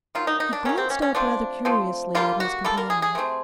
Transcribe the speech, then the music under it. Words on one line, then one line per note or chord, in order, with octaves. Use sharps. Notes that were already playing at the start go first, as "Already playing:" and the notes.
He glanced up rather curiously at his companion.
D#3 F#3 A#3 F4
D#4
D#4
D4
D#3 F#3 A#3 C#4
C4
C#4
C#4
F3 A3 C4 D4
F3 A3 C4
D3 G3 A#3 F4
F#4
D3 G3 A#3 A4
A#4
G#4
G#4
C3 E3 A3 C4